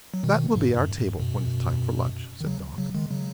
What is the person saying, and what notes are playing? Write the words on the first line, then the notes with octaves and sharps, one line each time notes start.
"That will be our table, when it's time for lunch," said Dot.
F#3
B2 D#3
G#2 C#3
F#2
G#2
F#2 B2
D#3
C#3 F#3
C#3 F#3
D#3 G#3
C#3 F#3